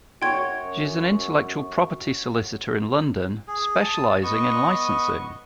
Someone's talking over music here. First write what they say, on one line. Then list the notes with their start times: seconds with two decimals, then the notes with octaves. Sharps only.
She is an intellectual property solicitor in London, specialising in licensing.
0.22 F#2 F#4 C#5 G5 C6 G#6
3.48 G#4
3.76 A5 D#6
4.23 B3 D#5 C#6